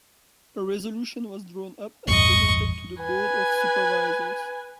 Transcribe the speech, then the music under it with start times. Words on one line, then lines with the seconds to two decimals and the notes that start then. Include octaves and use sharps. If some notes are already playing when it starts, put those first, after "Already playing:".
A resolution was drawn up and presented to the Board of Supervisors.
2.07 A1 E2 G2 D#5 C#6
3.01 B4 G#5